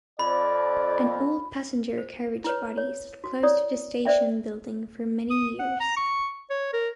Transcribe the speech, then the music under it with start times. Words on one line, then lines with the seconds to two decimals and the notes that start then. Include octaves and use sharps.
An old passenger carriage body sat close to the station building for many years.
0.19 F2 D5 B5
1.98 C5
2.44 E4 B4 C#5
2.77 C#5
3.24 F#4
3.43 E4 C#5 D5 D#6
4.05 C5 D5 E5 G5
5.30 D#6
5.59 F#5
5.80 A#5
5.97 C#6
6.50 C#5
6.73 A#4